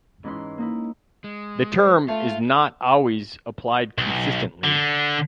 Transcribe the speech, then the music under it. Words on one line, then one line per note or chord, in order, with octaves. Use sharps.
The term is not always applied consistently.
G#2 E3 C#4 D#4 E4 C6
A#3 D#4 E4
G#3
C5
A3 F4 E5
B1
D3